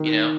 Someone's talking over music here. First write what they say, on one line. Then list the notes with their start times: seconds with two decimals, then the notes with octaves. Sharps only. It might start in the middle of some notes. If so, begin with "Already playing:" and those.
you know?
Already playing: D#3